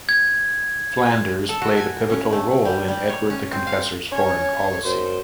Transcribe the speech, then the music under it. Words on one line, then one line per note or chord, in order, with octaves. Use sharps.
Flanders played a pivotal role in Edward the Confessor's foreign policy.
G#6
A4
F#4
G#5
C#4
A3
G3
G3
C#5
C#4
C4
F5
C#4 C#5
F#2 C5